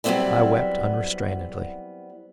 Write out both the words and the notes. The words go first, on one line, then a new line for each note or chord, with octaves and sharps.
I wept unrestrainedly.
F#3 G3 B3 C4 E4 D5